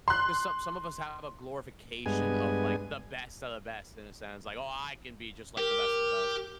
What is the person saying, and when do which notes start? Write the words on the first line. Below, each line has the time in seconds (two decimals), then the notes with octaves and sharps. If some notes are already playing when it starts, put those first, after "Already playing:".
'cause, some some of us have a glorification of, like, the best of the best in a sense, like, "Oh, I can be just like the best of the best."
0.08 C6 F#6
2.06 G2 G#3 B3 G#5
5.58 G4 A#4